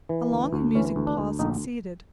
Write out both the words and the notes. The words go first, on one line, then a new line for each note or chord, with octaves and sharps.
A long and musing pause succeeded.
E3
D2
D2
E3 C#4
D2
D4
D2
A#1 D#4